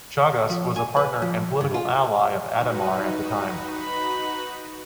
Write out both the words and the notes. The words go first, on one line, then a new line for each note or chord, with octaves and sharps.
Chagas was a partner and political ally of Ademar at the time.
F3
G#5
B4
F3
G2
F4
D#4 F#4 B4
B5